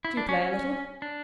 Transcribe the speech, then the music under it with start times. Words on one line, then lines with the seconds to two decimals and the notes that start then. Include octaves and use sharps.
"Do you play a little?"
0.05 E4
0.17 D4
0.29 C#4
0.41 C#4
1.02 D4